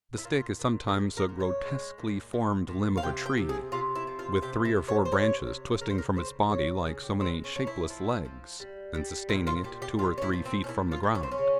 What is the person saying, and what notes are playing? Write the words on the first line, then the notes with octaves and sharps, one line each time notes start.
The stick is sometimes a grotesquely-formed limb of a tree, with three or four branches twisting from its body like so many shapeless legs, and sustaining it two or three feet from the ground.
E4
A#2 F4
A#2
A#4
A#2 G#4
A#4
A#2
C#5
G#3
A#2
A#2
A#2
F5
C3 G5
G5
C3
G#4
C3 F4
E4
F3
F4
C3 G4
E4
C3
C#5
C5
C3 C#5
C3
C#3 A#4
C5
A#4
C#3 C5
C#3 C#5
C#3 G#4
G4
G#3 C4
C#4
F3 C#4
E4
F3
F3
G3
G3
A#2 E4
F4
G3 G4
G4
A#2 F4
C#4
E4
F3
C4
C#4
A#2 E4
F4
A#2
C#4
C4
C#4
C#3